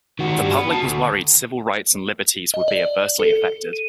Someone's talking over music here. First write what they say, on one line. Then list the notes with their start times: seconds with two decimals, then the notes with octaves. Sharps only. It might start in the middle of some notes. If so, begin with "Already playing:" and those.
The public was worried civil rights and liberties would be adversely affected.
0.19 D#3 F#4
0.38 G2 G3
0.56 B3
0.71 F#4 A5
0.83 D2
2.54 D#5
2.68 D5
3.20 A4
3.73 D#7